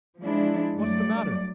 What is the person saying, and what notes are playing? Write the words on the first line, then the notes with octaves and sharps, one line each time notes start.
"What's the matter?"
F3 G#3 D4 E4
G2 F#3 A3 D5